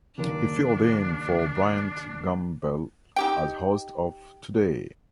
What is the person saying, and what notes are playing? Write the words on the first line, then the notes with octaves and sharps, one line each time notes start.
He filled in for Bryant Gumbel as host of "Today".
F#1 D#2 D4 A#4
D#4 G4 G5